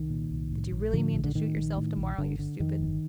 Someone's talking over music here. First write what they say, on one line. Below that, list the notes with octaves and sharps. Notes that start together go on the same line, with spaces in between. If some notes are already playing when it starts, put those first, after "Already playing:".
Did you really mean to shoot yourself to-morrow, you stupid?
Already playing: C2 D#3
A#2
C2
A2
A#1
A2 D3 F3
A#1
D3
A2 D#3
A#1
A2
A#1
G1 D3
D3
F2 D#3
G1